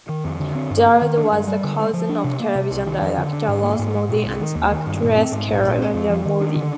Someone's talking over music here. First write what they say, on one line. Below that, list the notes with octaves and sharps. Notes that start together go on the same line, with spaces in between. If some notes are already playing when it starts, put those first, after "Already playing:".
Jardine was the cousin of television director Laurence Moody and actress Clare Lawrence Moody.
D#3
F2
D3
C4
G2
A#3
D#3
D4
G2
G3
D3
G#3
F3
D4
C3
A#3
C3
C2
D#3
F2
D3
D4
G#2
A#3
G#2
G#3
A#2
C2
D#3
D#2
D#3
G2
A#2
C4
G#2
A#1
A#2
C4
F2
F3
D#3
D4
D3